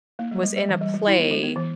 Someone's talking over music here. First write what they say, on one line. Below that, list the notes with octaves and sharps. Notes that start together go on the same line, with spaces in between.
was in a play,
A#3
G3
G#3
G3
E3
G3
G#3
E4
B3
G#3
B3
E3